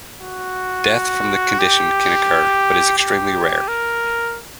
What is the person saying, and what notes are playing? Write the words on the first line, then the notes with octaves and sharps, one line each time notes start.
Death from the condition can occur, but is extremely rare.
F#4
G4
G4
A#4